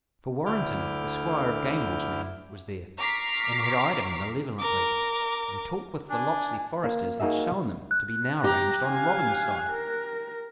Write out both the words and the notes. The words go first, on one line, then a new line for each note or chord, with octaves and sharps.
For Warrenton, the Squire of Gamewell's man, was there, and had eyed him malevolently, and talk with the Locksley foresters had shown them to be now ranged on Robin's side.
D2 D3 E4 D6 F6 G6
A#5 C#6 D6 F6 B6 C7
A#4 D6
D4 G#5
A#3
A#3 D#4 F#4 G#4 E5
F#6
G4 A#5
F5 G#5
A#4